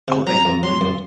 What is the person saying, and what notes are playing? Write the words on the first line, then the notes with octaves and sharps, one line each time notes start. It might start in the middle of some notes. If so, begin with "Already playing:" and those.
Oh, and the cheese.
C3
F#3 A#5
F2
F#3 C6
F#2